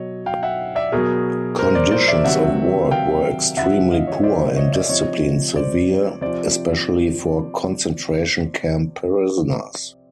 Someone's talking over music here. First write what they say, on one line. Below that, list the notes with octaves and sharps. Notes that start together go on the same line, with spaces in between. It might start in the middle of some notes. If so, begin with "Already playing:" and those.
Conditions of work were extremely poor, and discipline severe, especially for concentration camp prisoners.
Already playing: B2 F#3 C#5 D#5
F5 G5
E5 F#5
D5 E5
B2 F#3 G#4 A#4
A#4 C5
C5 D5
C5 D5
D5 E5
C3 D#3 F#3 E5 F#5
F5 G5
C#3 F3 E5 F#5
D#5 F5
C#5 D#5
C5 D5
C#5 D#5
D5 E5
C3 F3 C#5 D#5
C5 D5
C3 F3 C5 D5